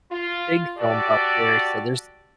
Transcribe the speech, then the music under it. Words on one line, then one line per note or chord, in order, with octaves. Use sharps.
big film buff here, so, there's
F4
F#4 G4 A4 D5